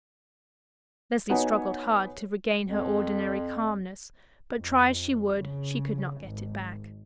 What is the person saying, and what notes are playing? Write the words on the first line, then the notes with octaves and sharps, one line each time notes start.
Leslie struggled hard to regain her ordinary calmness; but, try as she would, she could not get it back.
B3 D#4 F#4 C#5 F#5 G#5
F2
F2
C#3
G#1